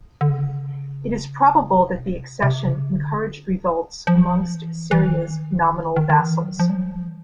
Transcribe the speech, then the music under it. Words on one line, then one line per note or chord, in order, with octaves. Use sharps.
It is probable that the accession encouraged revolts amongst Assyria's nominal vassals.
D3
C#3
C3
B2
C3
C3
C#3
D3
F3
E3
E3
D#3
D#3
D#3
E3
F#3
F3
G3
F#3
F3
E3